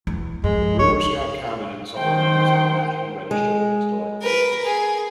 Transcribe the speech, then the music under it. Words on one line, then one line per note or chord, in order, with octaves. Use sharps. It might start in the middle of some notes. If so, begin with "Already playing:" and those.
The Brewer Scout Cabin in Solomon is on the National Register of Historic Places.
E2
G2 F3 G#3
B3 C#5
D#3 C5 G5
G#3
A#4 B4
G#4